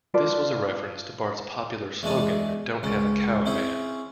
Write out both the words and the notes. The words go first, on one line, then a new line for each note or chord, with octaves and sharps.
This was a reference to Bart's popular slogan Don't have a cow, man!
F4 A4 B4 D5
E2 G#3 A3 D4 G#5 A5
C#2 C#4
C4 C#4 E4 G#4 C5